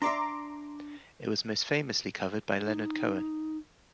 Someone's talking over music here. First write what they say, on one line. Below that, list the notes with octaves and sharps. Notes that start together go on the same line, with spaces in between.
It was most famously covered by Leonard Cohen.
D4 D5 E5 A#5 C6 D6
D#4